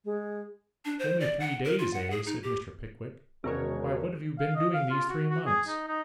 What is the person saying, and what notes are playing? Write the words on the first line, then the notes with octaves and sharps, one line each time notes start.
'Only three days, eh?' said Mr. Pickwick. 'Why, what have you been doing these three months?'
G#3
D4
C5
D5
F#5
A#4
F4
F#5
G#4
D#4
G4
E1 C3 D#3 G#3 C#4 F#4 A#4 C#5
F5
D#5
F5
F4
F#4
F#4
G#4
D#4
D#4